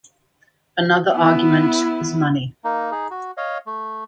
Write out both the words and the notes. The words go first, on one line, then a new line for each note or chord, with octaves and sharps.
Another argument is money.
B3 E4
A#3 D#4
D#4 G#4
F#4
C#5 D#5 F5
A3